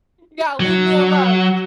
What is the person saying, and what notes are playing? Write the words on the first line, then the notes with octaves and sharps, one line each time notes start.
Yeah, leave me alone.
F#3